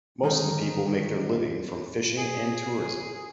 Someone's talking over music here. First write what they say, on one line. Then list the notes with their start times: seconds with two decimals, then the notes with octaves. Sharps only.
Most of the people make their living from fishing and tourism.
0.23 D3 D#3 G#3 D#4
2.16 G#4